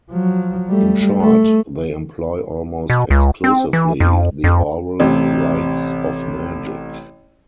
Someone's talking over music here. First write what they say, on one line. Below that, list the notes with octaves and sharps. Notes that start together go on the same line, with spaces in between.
In short, they employ almost exclusively the oral rites of magic.
F3 F#3
G3 A3
A3
B2
C#2
C4
E3
F2
F2
A1 C3